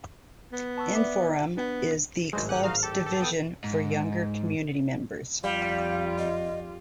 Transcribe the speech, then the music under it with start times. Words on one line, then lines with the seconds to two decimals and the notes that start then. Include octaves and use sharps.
Inforum is the Club's division for younger community members.
0.52 B3
0.78 A5 C#6 E6
0.95 D5 E5 D6
1.57 B3 D4
2.33 G#1 A2 F#3 G#3 C5 D#5
2.49 G4 F#5 G#5 F#6
2.63 D#4 F#4 D#5 F5
2.83 G4 A4
3.06 A4
3.22 B3 D#4 G5 D#6
3.64 G#2
5.44 F2 G3 F4 F5
6.18 D#5